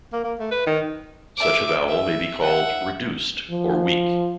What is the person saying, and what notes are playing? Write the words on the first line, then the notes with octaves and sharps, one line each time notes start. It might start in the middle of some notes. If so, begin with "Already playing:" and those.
Such a vowel may be called "reduced" or "weak".
A#3
A#3
A3
B4
D#3
E5 D6
E5
E5 F#5
F3